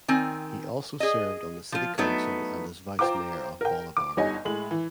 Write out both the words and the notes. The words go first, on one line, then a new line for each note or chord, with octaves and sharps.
He also served on the city council and as Vice Mayor of Bolivar.
D#3 C4 G#5
G#4 D#5
F3 F4
F#3 A3 B3 D#4
F4 C5 G5 A#5 D6
A#4 G5
D6
G1 G3 D#4 C#5 D#5 G#5
A2 G#3 F#7
E3